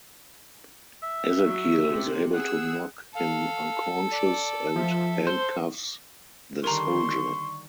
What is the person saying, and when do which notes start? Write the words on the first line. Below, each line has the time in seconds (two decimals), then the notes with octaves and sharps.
Ezekiel is able to knock him unconscious and handcuffs the soldier.
1.03 E5
1.46 F#3
1.85 C3
2.34 G#4 F#5 E6
3.15 A4 F5
4.11 D5
4.76 F3 E5
5.27 C5 C6
6.64 D3 D#3 G3 A#4 A#5 C6 C#6